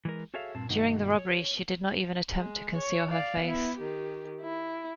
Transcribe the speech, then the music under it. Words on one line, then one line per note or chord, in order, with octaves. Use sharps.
During the robbery, she did not even attempt to conceal her face.
E3 G#3 A#4
F#4 G#4 A4 C#5 E5 F5
G2 A#2 C4 A5
G2 B2 D#3 A#3 D#4 F#4
C#5
G#3
C#5
D5 F5
B3 E4
D#3 G4
E4